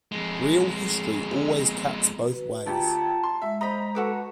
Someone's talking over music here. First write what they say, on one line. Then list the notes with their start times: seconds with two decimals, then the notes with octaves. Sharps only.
Real history always cuts both ways.
0.12 F2 G#3
2.32 F#4 B4
2.66 D2 F4 G4 G5 A5 A#5
3.23 C6
3.42 G#3 E5 F#5
3.61 C5 D#5 A#5 B5
3.95 F#4 A4 B4 D6